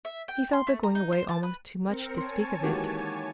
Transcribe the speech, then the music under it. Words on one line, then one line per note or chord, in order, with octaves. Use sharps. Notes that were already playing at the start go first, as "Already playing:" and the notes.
He felt the going away almost too much to speak of it.
E5
G5
C6
A3
A#5
D#4
C5
A5
B4
C4 A#4 C#7
C#5 G#5 A5 C6
D#3 E3 G#3 A#3 F#4 G4